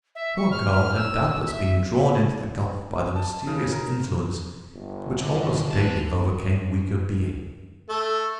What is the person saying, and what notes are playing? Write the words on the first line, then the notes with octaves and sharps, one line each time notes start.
The poor girl had doubtless been drawn into the gulf by the mysterious influence which almost daily overcame weaker beings!
E5
C#6
F6
F6
E6
E5
A5
C#3
A#4
G1
D3
D3 A5
A3